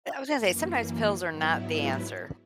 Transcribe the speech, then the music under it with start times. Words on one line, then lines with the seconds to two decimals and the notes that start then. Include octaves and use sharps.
I was gonna say, sometimes pills are not the answer.
0.35 F#2 E3 A#3
1.26 G#2 F#3 B3 E4